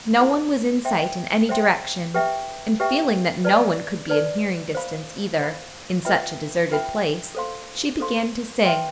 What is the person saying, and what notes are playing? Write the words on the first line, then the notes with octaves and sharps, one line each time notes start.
No one was in sight in any direction, and feeling that no one could be in hearing distance, either, in such a deserted place, she began to sing.
E4 A4 C5
C5 E5 G5 C6
C5 E5 G5 C6
G4 B4 E5 G5
G4 B4 E5 G5
B4 D5 A5
B4 D5 A5
C5 F5 B5
C5 F5 B5
F4 B4 E5 G5 B5
F4 B4 E5 G5 B5
A4 C5 F5 C6
A4 C5 F5 C6
B4 E5 G5 C6